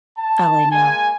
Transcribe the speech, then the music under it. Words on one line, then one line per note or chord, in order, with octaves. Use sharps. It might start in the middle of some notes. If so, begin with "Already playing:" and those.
Oh, I know,
A5
G#3 A#3 G#5